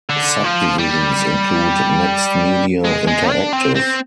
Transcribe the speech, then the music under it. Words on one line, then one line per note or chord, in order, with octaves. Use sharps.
Subdivisions include Next Media Interactive.
D3
F3
G3
G#3
G#3
D4
C4
C4